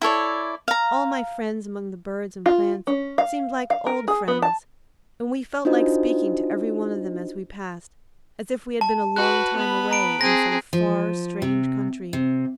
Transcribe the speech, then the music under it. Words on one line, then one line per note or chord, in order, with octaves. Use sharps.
All my friends among the birds and plants seemed like OLD friends, and we felt like speaking to every one of them as we passed, as if we had been a long time away in some far, strange country.
E4 A4 C#5 D5
F5 A#5
F4
C#4
F5
F5
A#4
G#4
B3
A5
D4 D#4 F4 F#4 C5 D#5
A5
F#4 B4 F#6
B3 B5
A#5 D7
C4 G#4 A#6
F3
C3
C3